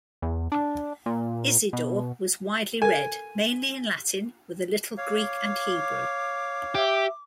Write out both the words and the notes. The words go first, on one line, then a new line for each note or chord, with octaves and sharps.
Isidore was widely read, mainly in Latin with a little Greek and Hebrew.
E2
D4
A#2
B2
A4 A#4 G#5
C#5 F5 D6
G4 E5